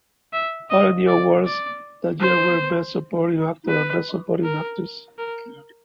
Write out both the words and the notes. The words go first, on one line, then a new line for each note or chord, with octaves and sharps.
Other new awards that year were Best Supporting Actor and Best Supporting Actress.
E5
D#5
D5
D5
C5
B4
A#4
A#4